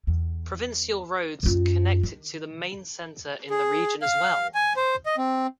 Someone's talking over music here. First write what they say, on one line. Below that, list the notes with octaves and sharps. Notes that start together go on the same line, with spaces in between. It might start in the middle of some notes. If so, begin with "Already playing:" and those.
Provincial roads connect it to the main centre in the region as well.
E2
F#2 F4
D#3
G#4
F5
G#5
C5
D#5
C4